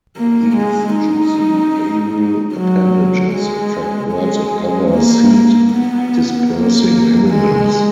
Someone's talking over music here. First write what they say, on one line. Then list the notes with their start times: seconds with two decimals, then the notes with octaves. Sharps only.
These juicy aril appendages attract birds and other seed dispersing animals.
0.17 A#3
0.57 G#3
0.96 D#4
2.54 F#3
3.32 G#3
4.13 G#3
4.91 A#3
5.71 B3
6.50 A#3
7.28 G#3